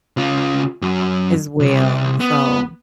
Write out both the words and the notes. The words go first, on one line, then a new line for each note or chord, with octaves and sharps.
as well, so
C#3 F4
F#2 F#3
C2
B3